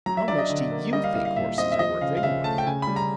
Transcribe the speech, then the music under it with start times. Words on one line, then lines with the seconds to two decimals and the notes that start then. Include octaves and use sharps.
"How much do you think horses are worth, anyway?"
0.06 F#3 A#5
0.17 E5
0.28 D4 D5
0.38 D#5
0.50 D3
0.71 A#3
0.93 G3 D#5
1.04 F5
1.14 E4 F5
1.25 F5
1.36 A#2 E5
1.58 C4 D#5
1.72 E5
1.79 F3 D#5
2.01 C#3 F5
2.17 F5
2.23 C#3 E5
2.44 A3 A5
2.58 G5
2.66 C#3 G#5
2.82 G3 B5
2.96 A#5